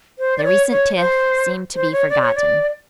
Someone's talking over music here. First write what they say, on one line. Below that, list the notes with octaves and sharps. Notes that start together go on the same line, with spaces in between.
Their recent tiff seemed to be forgotten.
C5
D5
C#5
C#5
C5
C5
C#5
D5
C#5
D5